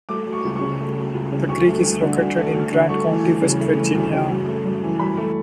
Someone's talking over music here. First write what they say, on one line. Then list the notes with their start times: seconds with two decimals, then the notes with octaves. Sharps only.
The creek is located in Grant County, West Virginia.
0.09 A3 D6
0.27 F#3
0.33 C#6
0.45 C#2
0.56 C#6
0.61 C#3
0.80 A3
0.97 F#3
1.14 C#2
1.32 C#3
1.49 D2 C#6
1.68 A3
1.84 D2
2.01 D3
2.19 D2
2.37 A3
2.54 D2
2.71 D3
2.89 A3 C#6
3.07 E3
3.25 D2
3.42 C#3
3.60 A3
3.77 E3
3.95 D2
4.13 C#3
4.30 F#2
4.47 A3
4.65 F#2
4.83 E3
4.99 F#2 B5
5.17 A3